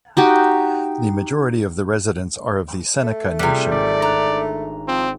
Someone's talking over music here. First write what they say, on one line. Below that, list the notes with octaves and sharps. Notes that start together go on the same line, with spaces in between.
The majority of the residents are of the Seneca Nation.
D#4 F#4 G4
A3
C3 G3 F4 G#4 F#6
G#1 D5
D4 A#5 F#6
F3 C4